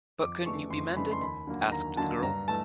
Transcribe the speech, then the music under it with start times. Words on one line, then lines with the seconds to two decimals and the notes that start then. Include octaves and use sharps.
But couldn't you be mended? asked the girl.
0.20 F2 D6
0.45 C#3 E3 A3 D4 C#6
0.70 F2 C6
0.96 C#3 E3 A3 D4 B5
1.12 C6
1.21 D#2 B5
1.47 D3 F#3 A#3
1.72 D#2 A#5
1.97 D3 F#3 A#3 A5
2.22 G2 A#5
2.48 E3 A3 A5